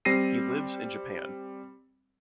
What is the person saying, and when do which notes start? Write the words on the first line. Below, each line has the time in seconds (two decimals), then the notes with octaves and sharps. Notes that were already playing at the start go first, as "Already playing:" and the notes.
He lives in Japan.
0.05 G3 C4 A#6 C7 D#7